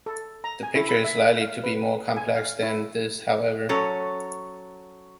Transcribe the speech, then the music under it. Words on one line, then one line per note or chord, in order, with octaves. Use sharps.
The picture is likely to be more complex than this, however.
A4
A#5
G#5
E4
B5
E5
F5
B4
G#5
F5
E4
F#3 C#4 A4 C#5